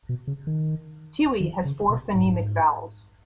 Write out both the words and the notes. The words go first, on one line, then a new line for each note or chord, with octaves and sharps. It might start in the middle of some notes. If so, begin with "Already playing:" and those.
Tiwi has four phonemic vowels.
B2
C#3
D#3
D#3
C#3
B2
G#2